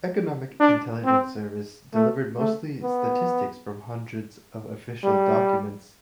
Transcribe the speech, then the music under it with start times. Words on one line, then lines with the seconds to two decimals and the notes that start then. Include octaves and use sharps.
Economic Intelligence Service delivered mostly statistics from hundreds of official documents.
0.60 D4
1.05 C4
1.94 A3
2.38 A3
2.82 B3
5.04 G3